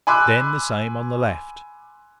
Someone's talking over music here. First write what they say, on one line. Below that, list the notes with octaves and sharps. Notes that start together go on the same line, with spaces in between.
Then the same on the left.
G#5 B5 C6 D6 E6 F#6